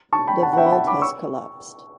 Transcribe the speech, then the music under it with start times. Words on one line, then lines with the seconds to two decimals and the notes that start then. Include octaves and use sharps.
The vault has collapsed.
0.13 A5 C#6
0.27 G5 B5
0.42 F#5 A5
0.53 F#5
0.58 E5 G5
0.66 B5
0.72 F#5 A5
0.87 B5 D6
1.02 C#6 E6